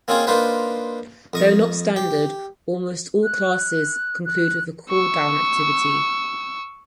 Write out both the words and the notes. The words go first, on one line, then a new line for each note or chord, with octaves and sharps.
Though not standard, almost all classes conclude with a cool-down activity.
A#3 C4 C#4 D#4 F4 G#4
A#3 D4 D#4 F4 B4 C5
F2 D#5 C#6
G4
F#6
F#6
C#6 E6